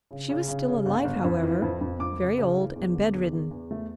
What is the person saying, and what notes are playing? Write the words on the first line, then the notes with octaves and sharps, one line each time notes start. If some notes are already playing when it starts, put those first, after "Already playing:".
She was still alive, however, very old, and bedridden.
C#3
C#3
C#3
C#3
G1
G1
F2
E3
F2
F2
F2 D6
C#3
C#3
E3
E2
D3
E2
E2
E2
A3